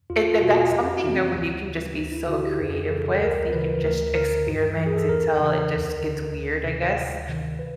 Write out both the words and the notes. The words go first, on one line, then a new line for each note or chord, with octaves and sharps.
it th that's something that where you can just be so creative with. You can just experiment until it just gets weird, I guess.
E2 F4
F4
B2 F#4
F2 G4
F#4
C3 E3
C4
D2
C#3 E3
D2 D#4
E4
D3 F#4
G4
F2 G#4
C#3 E3 A4
D2 A#4
C#3 E3 B4
D2 A#4
D3 A#4
G2
E3
G#4
A4
E2 A#4
C#3 E3
D2
D3
D2
C3 D#3
D2
C3 D#3
B4